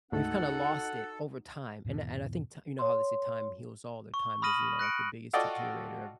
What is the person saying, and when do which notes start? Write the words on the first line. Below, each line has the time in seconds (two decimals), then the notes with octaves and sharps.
we've kind of lost it over time, and I and I think t you know how they say time heals all, that time is, you know, like the biggest deteriorator of
0.12 D2 G#2 A3 D#4 F#4 A4 F#5
1.85 E2 G#2 B2 E3
2.79 C#5 C6
4.14 C#6
4.42 B5 D#6 F6 A#6 D#7 F#7
4.79 F#6 A#6 C#7 D7
5.33 F4 F#4 A4 D5 D#5 G5